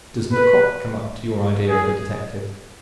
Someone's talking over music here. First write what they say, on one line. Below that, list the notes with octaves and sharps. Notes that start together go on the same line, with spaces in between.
"Does Lecoq come up to your idea of a detective?"
B4
G#4